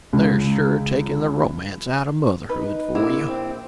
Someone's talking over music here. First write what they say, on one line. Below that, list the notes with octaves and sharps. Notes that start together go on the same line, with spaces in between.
"They're sure takin' the romance outta motherhood for you."
C#2
D#4 B4
A#1 E4
C4